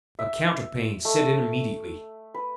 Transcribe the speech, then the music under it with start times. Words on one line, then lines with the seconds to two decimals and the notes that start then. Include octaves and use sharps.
A counter-pain set in immediately.
0.19 E5
1.05 A3
2.34 B4